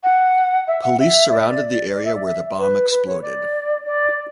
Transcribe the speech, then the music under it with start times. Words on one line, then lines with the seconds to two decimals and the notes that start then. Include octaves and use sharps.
Police surrounded the area where the bomb exploded.
0.03 F#5
0.67 E5
0.83 F#5
0.99 E5
1.31 D5
1.39 E5
1.48 D5
1.95 D5
2.05 E5
2.15 D5
2.26 E5
2.59 B4
2.91 B4
3.06 C#5
3.22 D5
3.86 D5